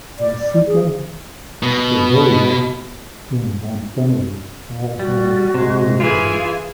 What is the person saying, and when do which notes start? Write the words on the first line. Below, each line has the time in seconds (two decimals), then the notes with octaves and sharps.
Laiseka, Sevilla and Montgomery all have a good result.
0.19 D5
0.67 G#4
1.63 B2
4.99 G3 F#4
5.55 C3 G#3
6.00 E3 F4 G#4